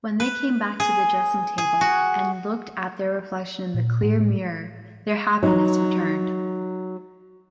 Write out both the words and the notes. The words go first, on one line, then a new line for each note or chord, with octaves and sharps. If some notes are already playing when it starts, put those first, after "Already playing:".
When they came back to the dressing table and looked at their reflection in the clear mirror, their happiness returned.
B4
G#4
G#4
F#4
A#2
A2
F#3 D#4